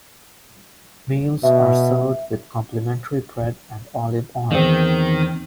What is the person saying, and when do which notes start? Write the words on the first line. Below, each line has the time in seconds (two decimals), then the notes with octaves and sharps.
Meals are served with complimentary bread and olive oil.
1.43 B2 E5
4.51 E2 D#3 C4